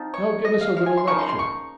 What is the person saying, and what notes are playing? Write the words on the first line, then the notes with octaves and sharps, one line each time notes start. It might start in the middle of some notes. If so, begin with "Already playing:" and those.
"Now give us a little lecture."
Already playing: F3 C4 D#4
C#5
D#5
F5
F5
G#5
C6
C#3 F3 A#3 D#4 C#6
C6
C6
C#6